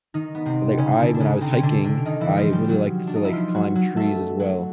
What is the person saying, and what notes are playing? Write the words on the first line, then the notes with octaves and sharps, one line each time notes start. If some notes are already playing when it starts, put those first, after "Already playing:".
Like, I when I was hiking, I really liked to, like, climb trees as well,
D#3 D#4
B3
C3 C4
C#3 C#4
D3 D4
D4
C#3 C#4
C3 C4
D3 C#4 D4
D3 D4
D#3 D#4
E3 E4
F3 F4
G3 G4
F#3 F#4
D4
D#4
E4
F3 F4
F#3 F#4
F#3 F#4
A3 A4
F#3 F#4